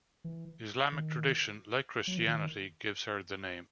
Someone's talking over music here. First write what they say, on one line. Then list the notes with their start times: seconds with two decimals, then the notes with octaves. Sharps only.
Islamic tradition, like Christianity, gives her the name.
0.24 E3
0.92 D#3
2.07 F#3
2.17 E3
2.28 D#3